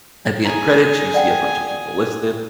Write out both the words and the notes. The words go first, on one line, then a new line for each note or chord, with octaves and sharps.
at the end credits, you see a bunch of people listed,
G#4 G#5 A#5
D5 F#5 G5